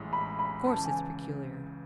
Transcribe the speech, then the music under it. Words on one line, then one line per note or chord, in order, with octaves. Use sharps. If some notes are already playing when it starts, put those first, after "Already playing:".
Of course it's peculiar.
Already playing: A1 A2 G#3
B5
B5
C#2 C#3 E3 A5
G#5